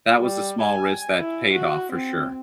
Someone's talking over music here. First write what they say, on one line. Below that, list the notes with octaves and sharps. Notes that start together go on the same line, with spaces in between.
that was a small risk that paid off for sure.
G3
G#5
E4
F#4
C4